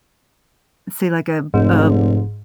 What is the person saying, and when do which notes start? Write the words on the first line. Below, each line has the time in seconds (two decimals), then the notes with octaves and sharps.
say, like, a a
1.54 F1 G#2